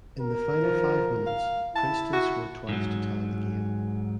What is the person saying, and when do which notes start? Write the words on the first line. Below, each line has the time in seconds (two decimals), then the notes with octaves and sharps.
In the final five minutes Princeton scored twice to tie the game.
0.21 A#4
0.62 F3
1.26 F5
1.75 E4 A5
2.13 F#4
2.69 G#2 F#3